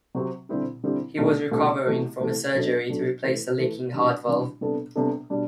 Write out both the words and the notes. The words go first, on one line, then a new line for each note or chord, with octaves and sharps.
He was recovering from a surgery to replace a leaking heart valve.
C3 F#3 C4 G4 C5
D3 G3 C4 E4 G4
D3 G3 C4 E4 G4
C2 B2 A3 D4
C2 B2 A3 D4
C2 C3 E3 A3
C2 C3 E3 A3
F#2 F#3 B3 D4 A4
F#2 F#3 B3 D4 A4
E3 A3 E4 B4
E3 A3 E4 B4
C3 E3 G3 D4 G4
C3 E3 G3 D4 G4
C3 G3 B3 D4 A4
C3 G3 B3 D4 A4
B2 G3 D4